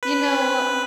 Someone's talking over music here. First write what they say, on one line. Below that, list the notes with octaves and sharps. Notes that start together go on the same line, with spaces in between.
You know, uh,
B4